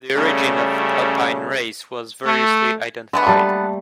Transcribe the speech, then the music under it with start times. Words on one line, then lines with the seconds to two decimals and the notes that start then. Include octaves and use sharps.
The origin of the Alpine race was variously identified.
0.16 C#3 G3 A3 C#4
2.25 A3
3.13 D3 G#3 B3 E5
3.27 G3 A3 A#3 A5